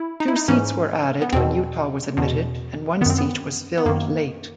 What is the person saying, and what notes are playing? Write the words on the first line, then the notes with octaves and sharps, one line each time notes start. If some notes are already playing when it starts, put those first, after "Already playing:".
Two seats were added when Utah was admitted and one seat was filled late.
Already playing: E4
D#4
E4
D#4
G#2 E3 C#4
B3
E2 B2 C4
E2 B2
F#2 D#3 B3 C4
B3
B3
F#2 D#3 A#3